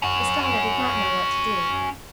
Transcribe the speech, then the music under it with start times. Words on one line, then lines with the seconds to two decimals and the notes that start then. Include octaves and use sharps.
Estralla did not know what to do.
0.02 C#4 F#4